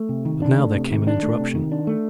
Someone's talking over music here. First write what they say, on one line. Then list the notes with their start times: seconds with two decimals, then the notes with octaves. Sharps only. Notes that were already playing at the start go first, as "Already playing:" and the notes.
But now there came an interruption.
Already playing: A3
0.09 C3
0.25 D#3
0.42 D4
0.59 A3
0.75 C3
0.91 D#3
1.07 D4
1.23 A3
1.40 C3
1.55 D#3
1.72 D4
1.87 A3